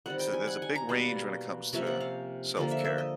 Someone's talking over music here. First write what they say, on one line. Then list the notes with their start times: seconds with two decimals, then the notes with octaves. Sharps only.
so there's a big range when it comes to self-care.
0.06 D#3 G3 C4 F#5
0.20 G5
0.33 G#5
0.47 F#5
0.62 G#5
0.75 A#5
0.89 B2 G3 A#3 F5
1.73 C3 F3 A#3 C#4 E5
1.87 F#5
2.00 F5
2.57 D3 F3 A#3 F5
2.71 E5
2.84 E5
2.98 D#5